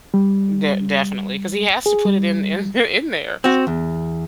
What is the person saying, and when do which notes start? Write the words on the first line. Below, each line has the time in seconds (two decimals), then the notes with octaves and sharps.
De definitely 'cause he has to put it in in in there.
0.14 G3
1.86 G#4
2.05 G3
3.44 C4 F#4
3.67 E2